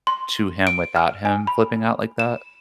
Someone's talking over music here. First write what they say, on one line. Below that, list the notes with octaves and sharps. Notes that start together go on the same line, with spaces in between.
to him without him flipping out like that?
C6
D7
F6
G#5
B5
E7